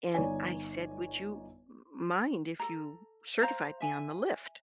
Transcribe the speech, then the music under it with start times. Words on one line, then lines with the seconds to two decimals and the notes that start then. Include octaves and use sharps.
And I said, "Would you m mind if you certified me on the lift?"
0.14 G1 D#4 C#5 D5 G#5
2.60 A4 A#5
3.41 C5 F5 A#5
3.80 E5 G#5